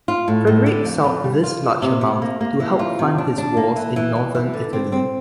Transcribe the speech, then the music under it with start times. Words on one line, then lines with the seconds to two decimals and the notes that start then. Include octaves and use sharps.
Frederick sought this large amount to help fund his wars in northern Italy.
0.08 F4
0.28 A2
0.47 A2
0.66 D3
0.85 F2
1.04 F2
1.24 G3
1.43 F4
1.63 E3
1.82 C3
2.01 C3
2.22 A#3
2.41 A#3
2.60 E3
2.79 F4
2.99 C3
3.18 D4
3.38 D4
3.57 A#3
3.76 E3
3.96 E3
4.15 E3
4.35 E3
4.53 D3
4.73 C4
4.92 C4